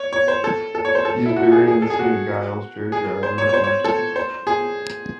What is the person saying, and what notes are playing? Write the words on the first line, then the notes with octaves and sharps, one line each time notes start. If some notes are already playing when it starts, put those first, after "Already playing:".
He is buried in Saint Giles's churchyard, Northampton.
Already playing: C#5
C#5
C5
A4
A4
C#5
C5
A4
E4
F#4
G#4
G#4
A4
G#4
F#4
G#4
C5
C#5
C#5
C5
C#5
A4
C5
G#4